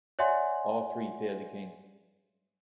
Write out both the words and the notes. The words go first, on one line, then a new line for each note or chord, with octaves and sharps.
All three failed the king.
C#5 D5 E5 F#5 G#5 C6